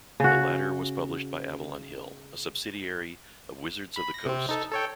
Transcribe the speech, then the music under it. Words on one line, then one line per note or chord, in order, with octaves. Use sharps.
The latter was published by Avalon Hill, a subsidiary of Wizards of the Coast.
C#3 F#4
B5
A#6
C3 C4
D#4 A4
A4 C#5 G5